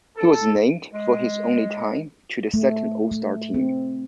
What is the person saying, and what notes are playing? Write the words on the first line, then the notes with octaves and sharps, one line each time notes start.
He was named, for his only time, to the Second All-Star team.
A4
G#3
A3
A3
C4